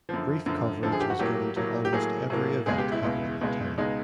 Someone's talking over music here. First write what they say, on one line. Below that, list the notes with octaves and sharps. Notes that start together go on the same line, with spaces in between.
Brief coverage was given to almost every event happening in town.
F#2 D3 F3
F#2 D3 F3
F#2 D3 F3 A4
G#4
G4
F#4
A2 F#3 A#3 G4
A2 F#3 A#3
G4
A2 F#3 A#3 G#4
A2 F#3 A#3
C#2 B2 G#3 G#4
G4
E4
C#2 B2 G#3
C#2 B2 G#3
C#2 B2 G#3 D#4